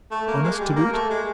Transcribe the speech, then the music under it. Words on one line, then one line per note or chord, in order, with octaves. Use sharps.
Honest, to boot.
A3
A#3
G#3
G3
A#3
A3
G#3